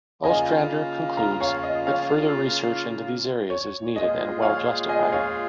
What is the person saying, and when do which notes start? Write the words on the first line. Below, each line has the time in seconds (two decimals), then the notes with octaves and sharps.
Ostrander concludes that further research into these areas is needed and well justified.
0.24 C#3 A#3 F4 D#5 G#5
1.17 F5 A#5
1.40 C#5 F5
1.63 D#5
1.87 C#5 F5
3.50 C#5
3.96 A#2 G#3 F4 G#4 D#5
4.42 C#5 F5
4.89 D#5 G#5
5.13 C#5 F5